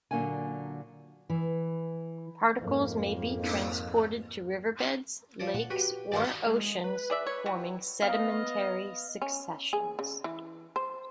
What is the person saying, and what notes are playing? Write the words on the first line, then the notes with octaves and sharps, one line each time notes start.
Particles may be transported to riverbeds, lakes, or oceans, forming sedimentary successions.
A#2 D3 F#3 A#3 D4 G#5
E3
F2 G#2 A#3
F3 C#5 D5
A#2 F#5
F#4 G4 B4
G2 D#3 D5 F5
G#3
B4
G#4 D5 E5
C#5
E3 G3 F#4
B3 D#5 F5
C#4
G#4
C#3
E3
C5